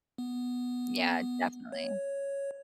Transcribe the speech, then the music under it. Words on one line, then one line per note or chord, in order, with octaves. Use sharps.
Yeah, definitely.
B3
C#5